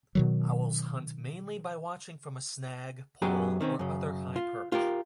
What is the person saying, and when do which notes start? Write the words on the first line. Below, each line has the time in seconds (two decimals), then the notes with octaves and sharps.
Owls hunt mainly by watching from a snag, pole or other high perch.
0.15 B2 D#3 F#3
3.22 F#2 F#3 B3 G4 G#4 A#5
3.61 D#3 C4 C#4
3.79 F#2 C#3
4.36 F4
4.72 F4 G4 A#4